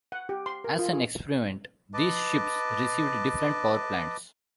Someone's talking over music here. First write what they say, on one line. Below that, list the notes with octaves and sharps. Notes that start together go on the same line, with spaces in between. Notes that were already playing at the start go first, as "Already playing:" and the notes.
As an experiment, these ships received different powerplants.
F#5
G4
C6
A#4
F4
G#4
B4 D#5 A5 D6